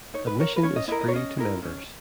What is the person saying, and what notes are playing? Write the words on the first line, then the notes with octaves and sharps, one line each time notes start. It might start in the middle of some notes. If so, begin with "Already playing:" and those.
Admission is free to members.
D#4 C#5
B4
A#4 C#5
B4
C#4 C#5
D#5
E4 A#4 D#5
D#5
C#5
C#4 D#5
E4 A#4
C#4